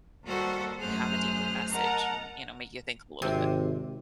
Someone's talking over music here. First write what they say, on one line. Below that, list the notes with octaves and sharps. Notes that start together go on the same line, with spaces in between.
have a deeper message and, you know, make you think a little bit.
D#2 G3 F#4 A4 C5 F#5
F#2 A3 G#4 C5 F6 F#6
A#4 D#5 F#5 A5 A#5
G#1 C3